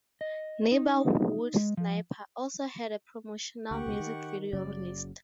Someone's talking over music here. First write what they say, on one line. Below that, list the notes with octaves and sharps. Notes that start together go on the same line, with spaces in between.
"Neighborhood Sniper" also had a promotional music video released.
D#5
D#4
G#3
F3
D2 G4 F#5 C#6
C#2 B2
D#3
F#1 C#3 F#3 D5